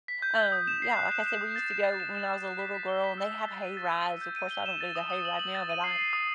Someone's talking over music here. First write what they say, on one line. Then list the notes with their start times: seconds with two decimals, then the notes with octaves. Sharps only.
Um, yeah, like I said, we used to go when I was a little girl and they have hay rides, of course, I don't do the hay ride now, but I
0.08 B6
0.22 G6
0.37 G6
0.52 D#6
0.68 E7
0.82 C7
0.97 F#6
1.12 E7
1.26 E7
1.41 D#6
1.56 A6
1.71 E7
1.85 A6
2.00 E7
2.15 E7
2.30 E7
2.44 F#6
2.59 B6
2.74 B6
2.88 G7
3.04 B6
3.18 E6
3.33 G7
3.48 A6
3.62 D#7
3.77 A6
3.92 A6
4.07 E6
4.21 G6
4.36 D#7
4.51 G7
4.66 E7
4.81 A6
4.95 D#6
5.10 D#6
5.25 F#7
5.39 F#7
5.55 A6
5.69 D#7
5.84 C7
5.99 C7
6.13 D#6